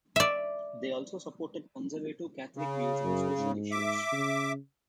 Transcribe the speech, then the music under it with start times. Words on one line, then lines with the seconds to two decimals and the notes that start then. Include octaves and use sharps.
They also supported conservative Catholic views on social issues.
0.16 D5 E5
2.56 C#3
3.04 F#2
3.39 G#2
3.71 E5 D6
4.12 C#3